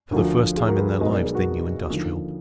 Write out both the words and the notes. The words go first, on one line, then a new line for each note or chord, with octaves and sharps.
For the first time in their lives they knew industrial peace.
D2 D3 F3 F#4 A#4
F4 G#4
F#4 A#4
G#4 B4
B1 B2 G#3 B4 D#5
A#4 D5
G#4 B4
F#4 A#4
D#2 D3 F3